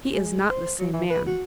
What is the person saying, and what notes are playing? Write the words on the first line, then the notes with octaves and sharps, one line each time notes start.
He is not the same man.
G#3
C5
F#3
E3
B4
F#4